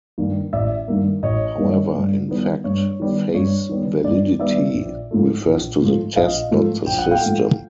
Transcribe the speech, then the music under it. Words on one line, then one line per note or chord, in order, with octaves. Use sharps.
However, in fact "face validity" refers to the test, not the system.
G2 D#3 G3 A#3
A1 D5 E5
G2 D#3 G3 A#3
A1 C#5 D#5
G2 D#3 G3 A#3
G2
D#3 G3 B3
G2 C#5
D#3 G3 B3
G2 C#5
D#3 G3 B3
G2 D5
D#3 G3 B3 D5 E5
A#1
G#2 F3 A3
A#1
G#2 F3 A3
A#1 D#5 F5
G#2 F3 A3
A#1 G5
F#5
F5 G5
G#2 F3 A3